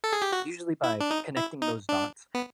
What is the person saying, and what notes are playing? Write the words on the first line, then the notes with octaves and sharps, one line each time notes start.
usually by connecting those dots,
A4
G#4
G4
F#4
E4
D4
D#4
E4
D#4
D4
B3